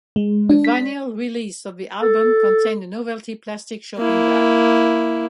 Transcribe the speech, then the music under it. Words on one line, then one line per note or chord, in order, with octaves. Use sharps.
The vinyl release of the album contained a novelty plastic shopping bag.
G#3
D4
B6
A4
A#3 E4